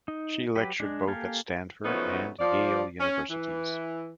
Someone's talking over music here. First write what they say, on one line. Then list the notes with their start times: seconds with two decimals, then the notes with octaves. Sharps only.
She lectured both at Stanford and Yale Universities.
0.08 D#4
0.56 F#3 G4 B4
0.80 G#3 D4
1.07 A#3 G4 A4 F5 G#5
1.85 C#3 F3 F#3 A3 B3 D#4
2.39 F3 D5
2.99 C#4
3.30 E3